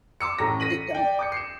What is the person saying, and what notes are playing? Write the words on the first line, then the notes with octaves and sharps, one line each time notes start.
it, um
C6 D6 E6 C#7
A1 A2 A#5 A#6
A#6 B6 D#7 F#7
D5 G5
D6 D#6 G6 C#7
C7 C#7 E7